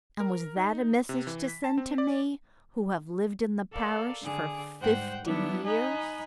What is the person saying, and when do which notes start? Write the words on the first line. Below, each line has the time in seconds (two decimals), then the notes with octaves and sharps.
And was that a message to send to me, who have lived in the parish for fifty years?
0.20 A#4
0.57 D#4
1.09 C3
1.27 E3
1.48 B6
1.64 A5
1.78 C4
1.98 D5
3.72 A4 A#4 D5 F5
4.22 D3 G#4 D6
4.80 G#2 G3 C5 F#5 G5
5.24 F#3 G3 B3 D4 E4
5.64 D#4 D#5 G#5 A#5 B5 F#6